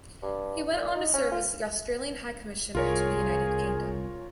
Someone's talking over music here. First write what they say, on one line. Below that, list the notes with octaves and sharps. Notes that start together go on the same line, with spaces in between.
He went on to serve as Australian High Commissioner to the United Kingdom.
G2
A#2
D#4
C#4
F4
C2 F4 G#4 A#4 C#5